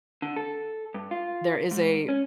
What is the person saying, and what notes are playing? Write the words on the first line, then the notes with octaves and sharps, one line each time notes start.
There is a
D3
A4
G2
F4
G#2
C#4